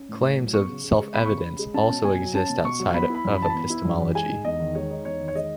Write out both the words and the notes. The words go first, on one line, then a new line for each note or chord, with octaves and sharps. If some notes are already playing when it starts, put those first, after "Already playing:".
Claims of "self-evidence" also exist outside of epistemology.
Already playing: C#4
A2
A2
F#3
B3 C#6
C#3
C#3
G#3
B3 B5
C#3 C#6
B5
C#3
G#3
C#4 A5
B2
B2 G#5
F#3
C#4 A5
B2
B2 C#6
F#3
B3 B5
E4
B5
F#2
B5
E3 A5
B3 B5
E4
F#2
E3
G#3 G#5
D#4
E2 D#5
D#3
G#3 C#5
D#4
E2 C#5
D#3
C#5
G#3 D#5